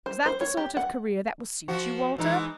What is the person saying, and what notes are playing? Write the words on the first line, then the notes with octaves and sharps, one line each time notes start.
Is that the sort of career that will suit you, Walter?
C5
C5
C#5
G4
F#5
F3 F#4
E3 G#3 D#4